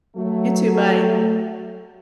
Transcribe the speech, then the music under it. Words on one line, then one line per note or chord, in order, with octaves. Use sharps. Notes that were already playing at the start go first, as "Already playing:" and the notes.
You too, bye.
F#3 A3